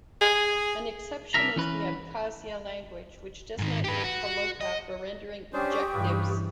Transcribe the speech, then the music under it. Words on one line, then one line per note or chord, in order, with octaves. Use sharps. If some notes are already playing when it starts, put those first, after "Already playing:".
An exception is the Abkhaz language, which does not use palochka for rendering ejectives.
G#4
C2 F#2 D4 A#4 E5 A#5
E3 C#4 B4
G#2 D#3
G4 B4
F#4
D#5
C#4 D4 G4 C5 C#6 D#6
G2 C#3 E3 F4 B4